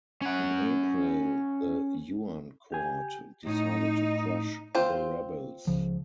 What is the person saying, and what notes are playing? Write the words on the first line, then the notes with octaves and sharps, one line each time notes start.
In April, the Yuan court decided to crush the rebels.
C#4 F#5
G4 G#5
A2 D#4
C4 F4 C5
C#2 C#3 F3